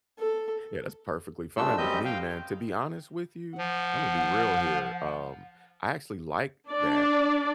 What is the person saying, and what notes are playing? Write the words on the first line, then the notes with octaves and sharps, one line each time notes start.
Yeah. That's perfectly fine with me, man. To be honest with you, Imma be real here, um, I actually like that.
A4
G2 A#2 A3 D4 E6
F#2 G3 C4 G4 D#5 G6
F5 G5
F3 F#5
D4 D5